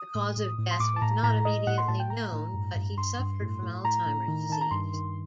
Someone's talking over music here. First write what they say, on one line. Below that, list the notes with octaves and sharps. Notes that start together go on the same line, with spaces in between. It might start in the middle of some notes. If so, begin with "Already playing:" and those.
The cause of death was not immediately known but he suffered from Alzheimers' disease.
Already playing: D#6
A2
A2
A2
C6
A2 D6
A5
A2 A#5
A2 A#5
A2 D#5
A2 F#5
C6
A2 A5
G5
A2 A#5
A2
G2
G2
G2 C6
G2
A2
A2
A2 A#5
A2
D#3
D#3 A5
A#5
G2 C6
D#3